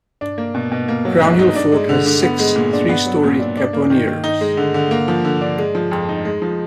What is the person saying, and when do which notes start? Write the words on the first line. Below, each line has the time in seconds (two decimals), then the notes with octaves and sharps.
Crownhill Fort has six three-storey caponiers.
0.21 D4
0.38 A#3
0.55 B2
0.72 B2
0.88 A#3
1.05 F#3
1.22 G#2
1.39 D#4
1.55 D4
1.72 G#3
1.89 D3
2.06 D3
2.22 B3
2.39 G#3
2.56 A#2
2.73 D4
2.89 B3
3.06 F#3
3.23 A#2
3.40 D4
3.57 D4
3.73 A#3
3.90 D#3
4.07 D#3
4.24 D#4
4.41 G#3
4.57 D3
4.74 D3
4.91 A#3
5.08 F3
5.25 D3
5.41 D4
5.58 G#3
5.75 F3
5.91 F2
6.09 D#4
6.25 G#3
6.42 F3